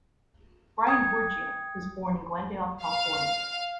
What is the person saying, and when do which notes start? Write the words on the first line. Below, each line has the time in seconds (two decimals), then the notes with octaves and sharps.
Brian Goorjian was born in Glendale, California.
0.87 G5 D#6 G#6
2.82 F5